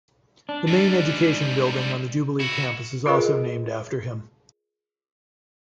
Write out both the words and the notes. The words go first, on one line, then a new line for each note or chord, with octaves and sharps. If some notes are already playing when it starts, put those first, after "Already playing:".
The main education building on the Jubilee Campus is also named after him.
D4
G#2 G3
E4 F#4
F4 G#4 A#4 B4 D#5